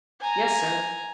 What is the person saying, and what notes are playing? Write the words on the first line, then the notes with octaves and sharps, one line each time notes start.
"Yes, sir."
G#5 A#5